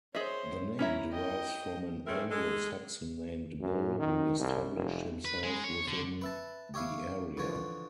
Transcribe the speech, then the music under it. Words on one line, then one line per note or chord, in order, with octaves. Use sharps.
The name derives from an Anglo-Saxon named Bill who established himself within the area.
G#4 C5 C#5 D#5 E5
C#4 E4 C#5 E5 A#5
D#5 G5
A3 C4 C#4 E4 G#4 A#4
G#3 A4
F#2
D#3
C2
F1
B4
G#3
C#5
D3
B4 E5 A5
G4 C#5 E5 F5 B5
D3 E3 F3 C#5